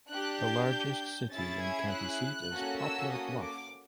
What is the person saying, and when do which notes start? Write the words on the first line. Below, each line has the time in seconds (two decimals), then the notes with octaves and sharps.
The largest city and county seat is Poplar Bluff.
0.11 D4 G4 F#6
0.41 G6
1.31 C#4 E4 G#4 A6
1.61 G#6
1.91 F#6
2.51 A#3 C#4 F#4 A4
2.81 E6
3.11 D#6
3.41 D6